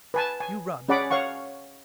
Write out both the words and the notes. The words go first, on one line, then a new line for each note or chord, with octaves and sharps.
You run!
B4 G#5 A5
G#5
C#4 G#4 D5 F#5 B5 D6
C#5 F5 F#5 C#6